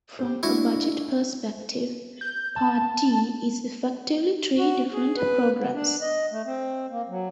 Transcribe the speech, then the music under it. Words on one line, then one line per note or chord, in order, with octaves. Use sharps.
From a budget perspective, Part D is effectively three different programs.
G4 C5
G#3 D4 E4 F#4
G6
A5
F#4
G#4
B4
B3
D4
D#5
A3
C4
A#3
F#3